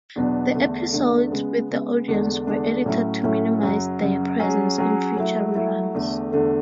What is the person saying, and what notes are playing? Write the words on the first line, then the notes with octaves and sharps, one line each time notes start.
The episodes with the audience were edited to minimize their presence in future reruns.
E2 B2 F#3 B3 D4
E2 D3 A3 D4
E2 D3 A3 D4
C#3 G#3 B3
C#3 G#3 B3
E2 D3 G#3 D4
E2 D3 G#3 D4
A2 F#3 C#4 E4
A2 F#3 C#4 E4
F#2 C#3 F#3
F#2 C#3 F#3
F#3 C#4 G#4
F#3 C#4 G#4
F#3 A3 E4
F#3 A3 E4
E2 D3 A3
E2 D3 A3